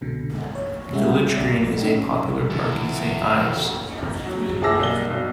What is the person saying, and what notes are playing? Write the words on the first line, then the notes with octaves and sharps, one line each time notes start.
Village Green is a popular park in Saint Ives.
C2 G#2 B2 D3
C#5
G3 G#3 C#4 G4 E5
B1 D5
C#4 D#4
E2 D3 D4
F#3
G1 G#4 A5 D6 E6 A#6
B1 G3 A#3 G7
B1 B2 D4